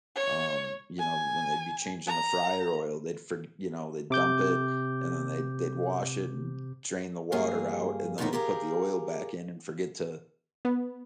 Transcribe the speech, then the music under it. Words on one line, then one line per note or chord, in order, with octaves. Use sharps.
um, you know, when they'd be changing the fryer oil, they'd forg you know, they dump it and then they they'd wash it and drain the water out, and then they put the oil back in and forget to
C#5
G#5
A#5
C3 D6 G6
D2 G2 A#3 G#4 F5
F#2 A2 D3 A#3 D#4 E4
G4 G#4 A#4 F5
B3